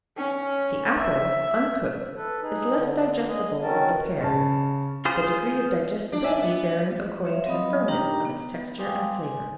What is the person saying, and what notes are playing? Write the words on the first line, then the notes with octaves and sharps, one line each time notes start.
The apple, uncooked, is less digestible than the pear; the degree of digestibility varying according to the firmness of its texture and flavour.
C#4
E5
A4 B4
D#4 G#4
D3
G#4 D#5
D#3 C4 C#4 F#4 A#4 A5
C#3 A5
F4 G#4 C5
D4
E5 G#5
B3
C#5 E5 F5 C6
F#3 C4 D#5 F5 B5 D#6
D4 D#4 G4 A#4 G5 A#5
B3
F5 G5 G#5 C6 D6 D#6
G#5